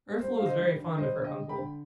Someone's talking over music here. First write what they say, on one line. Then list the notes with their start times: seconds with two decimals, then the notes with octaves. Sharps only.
Ursula was very fond of her uncle.
0.20 G3 C5
0.37 D3 F5
0.46 C5 D#5
0.58 G3
0.78 D3
0.98 G3 C5 D#5
1.18 D3
1.24 D#5 G5
1.37 G3
1.49 G5 B5
1.57 D3